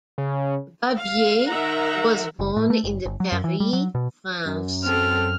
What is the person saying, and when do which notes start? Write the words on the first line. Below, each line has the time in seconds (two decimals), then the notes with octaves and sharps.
Barbier was born in Paris, France.
0.18 C#3
0.98 F5
1.50 D#3 D#4 A#4 E5 F#5 A#5
2.39 F#1
2.57 A2
2.70 A3
2.84 F#1
3.05 G1
3.20 F#3
3.32 F#2
3.44 E3
3.60 G3
3.73 F#3
3.95 B2
4.45 F#2
4.84 C4 A4 F6